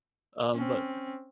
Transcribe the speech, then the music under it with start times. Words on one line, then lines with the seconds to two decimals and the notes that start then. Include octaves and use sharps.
um, but
0.53 C4 C#4